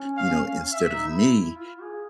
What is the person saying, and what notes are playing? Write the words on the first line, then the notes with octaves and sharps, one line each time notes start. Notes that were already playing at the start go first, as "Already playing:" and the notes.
you know, instead of me,
Already playing: C#4
F5
E5
D#4
E4
E4
F4
G#4